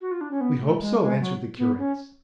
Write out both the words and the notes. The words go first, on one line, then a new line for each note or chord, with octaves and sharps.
"We hope so," answered the curates.
F#4
F4
D4
C#4
B3
A3
G#3
G#3
F#3
B3
C#4